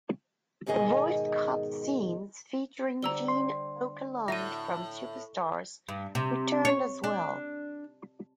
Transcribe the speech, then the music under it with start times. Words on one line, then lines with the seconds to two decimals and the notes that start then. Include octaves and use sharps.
The voiced cut scenes featuring Gene Okerlund from "Superstars" returned as well.
0.66 G#2 B2 D#3 G#4 D#5
3.03 D3 G3 C4 A#5 E6 G7
3.28 C6
4.28 A2 F#4 E5 A#6 D#7
5.88 G2
6.15 C3
6.65 C#5
7.04 D4